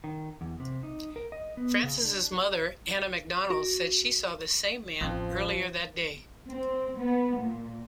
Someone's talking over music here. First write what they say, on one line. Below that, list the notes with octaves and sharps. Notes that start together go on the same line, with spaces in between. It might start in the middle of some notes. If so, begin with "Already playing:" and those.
Francis' mother, Anna McDonnell, said she saw the same man earlier that day.
D#3
E2
C3
D#4
A#4
D#5
B3
C#3
D4
F#4
A1 F2 F3
C4
B3
A#2